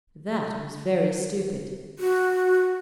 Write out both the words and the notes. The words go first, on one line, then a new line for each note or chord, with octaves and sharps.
'That was very stupid.
F#4